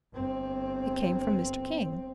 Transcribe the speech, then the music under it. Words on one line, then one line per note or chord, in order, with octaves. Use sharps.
It came from Mr. King.
G1 C4